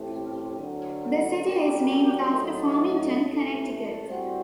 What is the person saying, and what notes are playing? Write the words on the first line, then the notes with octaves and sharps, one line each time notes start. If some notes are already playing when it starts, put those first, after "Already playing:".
The city is named after Farmington, Connecticut.
Already playing: A1 A2 A3 C4 G4
D2 D3 F#3
A#2 F#3 A#3 D4 G4
A2 F#3 A3 D#4
A1 A2 A3
A2 G3 C4 F#4 C5